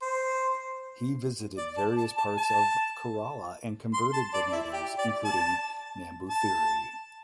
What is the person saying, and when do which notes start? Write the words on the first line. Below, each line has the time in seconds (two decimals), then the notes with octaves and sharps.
He visited various parts of Kerala and converted the natives including Namboothiri.
0.02 C5
1.58 D5
1.78 A5
1.98 A5
2.17 A5
2.38 A5
3.94 C6
4.13 A5
4.34 D5
4.53 E4
4.73 G4
4.98 D5
5.25 A5
6.30 A5